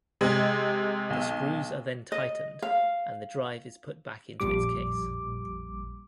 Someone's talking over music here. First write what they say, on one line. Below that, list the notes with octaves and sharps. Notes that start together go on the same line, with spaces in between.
The screws are then tightened and the drive is put back into its case.
C3 G#3
B1
D#5
F5
A#1 F2 A#2 G3 D6